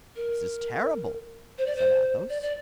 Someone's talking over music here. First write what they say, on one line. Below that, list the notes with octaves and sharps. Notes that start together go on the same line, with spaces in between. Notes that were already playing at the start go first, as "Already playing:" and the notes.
"This is terrible," said Athos.
A#4
C5
D5
C5
D5
D5